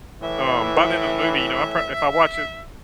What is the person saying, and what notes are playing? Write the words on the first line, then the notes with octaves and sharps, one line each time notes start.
um, by the end of the movie, you know, I pr if I watch it
A2 E3 E5